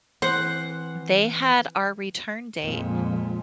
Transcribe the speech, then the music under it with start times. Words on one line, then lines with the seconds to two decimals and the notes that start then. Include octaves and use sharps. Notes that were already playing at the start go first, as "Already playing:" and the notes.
they had our return date
0.22 E3 C4 C5 F#5
2.64 F2 A#2 G#3